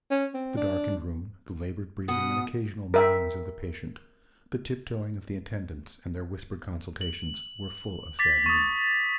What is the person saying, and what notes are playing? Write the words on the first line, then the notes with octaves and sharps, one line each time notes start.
The darkened room, the labored breathing and occasional moanings of the patient, the tip-toeing of the attendants and their whispered consultations, were full of sad meaning.
C#4
C4
D4
B2 F#5 D#6
A#4 E5 G5
F#7
D6 A6 B6
C#6 D#6